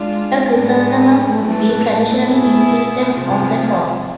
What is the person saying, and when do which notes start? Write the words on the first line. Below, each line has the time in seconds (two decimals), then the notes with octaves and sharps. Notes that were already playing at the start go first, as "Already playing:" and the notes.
A chrysanthemum would be traditionally imprinted on the top.
Already playing: G#3 D4 F4
0.52 A2 G#3 B3 D4
1.40 A2 E3 A3
2.27 B2 B3 E4 G#4
3.14 C3 F3 G#3